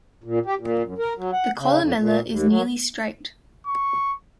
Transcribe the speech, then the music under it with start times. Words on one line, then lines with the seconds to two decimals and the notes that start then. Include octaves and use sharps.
The columella is nearly straight.
0.24 A#2
0.46 G4
0.59 A#2
0.83 F#2
0.98 A#4
1.17 F#3
1.33 F#5
1.58 C#3
1.80 F2
1.99 A#2
2.27 D#2
2.48 F#3
3.66 C#6